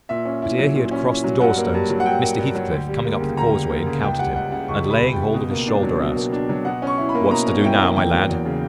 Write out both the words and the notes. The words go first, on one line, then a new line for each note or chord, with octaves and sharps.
But ere he had crossed the door-stones, Mr. Heathcliff, coming up the causeway, encountered him, and laying hold of his shoulder asked,--'What's to do now, my lad?'
A#2 E5
C#4
E4
F#3
A#2
C#4
E4
F#3
G2 F#5
A#3
G2
F#3
F#5
G2 G5
A#3
G2
F#3
D2
G3
A#3
C#3
D2 A#5
G3
A#3
C#3
C#2 G5
G3 F#5
C#2 F#5
C#3 F#5
C#2 C#6
G3
B5
C#2
G5
C#3
B2
A#3
D4
F#3
B2
A#3
D4
F#3
B2 F#5
C#4 C#6
E4
B5
A#3
B2 A#5
C#4
E4 G5
A#3
E2 G5
F#3
E2
C#3